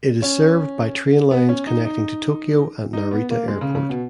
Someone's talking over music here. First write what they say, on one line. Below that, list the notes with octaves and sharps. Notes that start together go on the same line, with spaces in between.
It is served by train lines connecting to Tokyo and Narita Airport.
C#4
B3
C#4
D#4
D#4
D#4
B3
A#3
G#3
C#3
C#3
B2